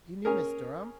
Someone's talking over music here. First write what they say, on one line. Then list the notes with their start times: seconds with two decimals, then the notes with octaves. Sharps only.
"You knew Miss Durham?"
0.25 C#4 G#4 A#4